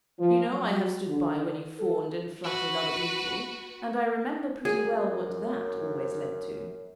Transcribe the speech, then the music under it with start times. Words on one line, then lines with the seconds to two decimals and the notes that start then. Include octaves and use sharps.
You know I have stood by when you fawned and flattered other people, and I remember pretty well what THAT always led to.'
0.19 F3
0.50 F#3
1.08 D3
1.79 A4
2.43 F#4 B4
4.65 F#2 G#4